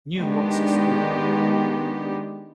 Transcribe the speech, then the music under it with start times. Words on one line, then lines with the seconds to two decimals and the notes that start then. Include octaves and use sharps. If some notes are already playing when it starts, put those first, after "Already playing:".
New mosques opened.
0.17 D#3 G#3 B3 D4 G4